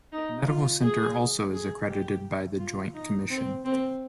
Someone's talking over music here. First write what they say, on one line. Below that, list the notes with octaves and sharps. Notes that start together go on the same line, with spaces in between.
The Medical Center also is accredited by The Joint Commission.
D#4
F4
G#4
G#4
G4
F4
D#4
C4
C4